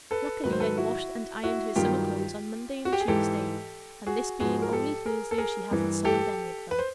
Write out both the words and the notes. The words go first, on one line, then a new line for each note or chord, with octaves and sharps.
"Luckily I'd washed and ironed her summer clothes on Monday and Tuesday, and this being only Thursday, she hadn't soiled any of them."
A4 B4
G#2 D#3 F#3 B4
C5
A4 B4
E4 F#4
E4 F#4
G2 D#3 F#3 F4 G4
F#4
G4
G#4
G#2 E3 G4 A4
F#4 G#4
G#2 F3 F#4 G#4
A#4
G4 A4
G#4 A#4
A4
G#4 A#4
G2 E3
G4 A4
B4
C5